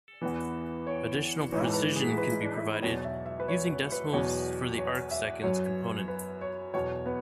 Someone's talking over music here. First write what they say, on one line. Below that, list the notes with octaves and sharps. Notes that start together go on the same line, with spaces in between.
Additional precision can be provided using decimals for the arcseconds component.
E2 E3 B3
C#5
G#2 E3 C#5
B4
G#4
B4
E2 B2 F#3 C#5
E5
E5
B4
C#5
C#5
B4
E2 B2 F#3 C#5
C#5
E5
F#2 F#3 C#5
B4
C#5
E2 B2 F#3 C#5
B3